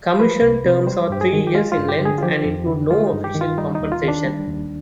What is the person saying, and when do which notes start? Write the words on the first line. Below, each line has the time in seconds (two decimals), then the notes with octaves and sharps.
Commission terms are three years in length and include no official compensation.
0.20 F3 B4
0.42 C2
0.65 C3
0.87 G3 C5
1.10 G2 G4
1.21 G#4
1.33 D#3
1.47 G4
1.55 G#3 F4
1.72 F4
1.78 G2
1.89 G4
2.00 D3
2.05 G#4
2.18 F4
2.23 F3 G4
2.45 F2
2.67 D3
2.91 G#3 F4
3.07 D#4
3.13 G2
3.24 G4
3.35 D#3
3.41 F4
3.58 G3 D#4
3.75 D#4
3.81 D#2
3.92 F4
4.03 D#3
4.08 D4
4.25 G3
4.48 D#2